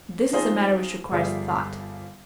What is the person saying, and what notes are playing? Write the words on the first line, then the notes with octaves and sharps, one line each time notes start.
This is a matter which requires thought.
F3 C4 D#4 F4 G#4 C5
G1 F3 G3 G#4 E5 F5